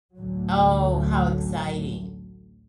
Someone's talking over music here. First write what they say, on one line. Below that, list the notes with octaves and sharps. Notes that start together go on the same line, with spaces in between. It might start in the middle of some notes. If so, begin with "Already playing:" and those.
Oh, how exciting,
A1 D2 D3 F#3